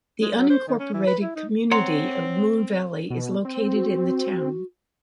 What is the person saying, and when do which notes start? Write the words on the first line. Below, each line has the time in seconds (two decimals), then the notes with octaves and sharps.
The unincorporated community of Moon Valley is located in the town.
0.22 G#3
0.37 F#3
0.50 C5
0.68 D#3
0.80 C#4
0.93 E3
1.07 B4
1.22 E4
1.36 D#4
1.71 C4 C#5 F#5 A#5 C6
3.10 B2
3.45 C4
3.73 F#4